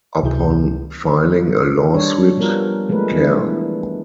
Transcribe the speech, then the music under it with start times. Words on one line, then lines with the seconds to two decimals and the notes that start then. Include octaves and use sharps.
Upon filing a lawsuit, Cal.
0.23 C#2 C3 F#3 E4 G#4 G6
1.94 G3 D4 C#5
2.37 F3 G3 B3 F4 A#4
2.89 F3 G#3 A3 A#4 B4
3.12 E3 B3 D4 E4